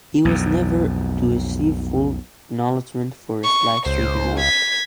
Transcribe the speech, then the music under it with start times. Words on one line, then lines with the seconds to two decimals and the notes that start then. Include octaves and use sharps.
He was never to receive full acknowledgement for this life-saving work.
0.25 B1 F2
3.44 C#6
3.86 C#2 C5
4.39 G#6 B6